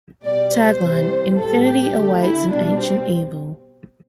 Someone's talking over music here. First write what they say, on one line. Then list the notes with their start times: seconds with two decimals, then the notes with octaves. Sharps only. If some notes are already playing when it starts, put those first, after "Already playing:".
Tagline: 'Infinity awaits an ancient evil'.
0.24 B2 G3 D5
0.53 C5
0.81 C3 E3 G3
1.37 A2 G3 A4
1.66 G4
1.93 D3 A3
2.22 E4
2.50 B2 G3 D4
2.78 C4